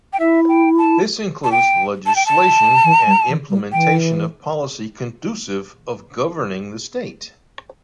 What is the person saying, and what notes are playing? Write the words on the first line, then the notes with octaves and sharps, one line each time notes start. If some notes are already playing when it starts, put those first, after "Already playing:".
This includes the legislation and implementation of policy conducive of governing the state.
G5
E4 E5
G5
A5
A5
G5
A5
G5
A5
E3
G3
E3
G3
E3 G5